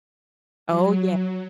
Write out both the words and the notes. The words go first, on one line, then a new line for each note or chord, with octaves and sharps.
Oh, ye
F#3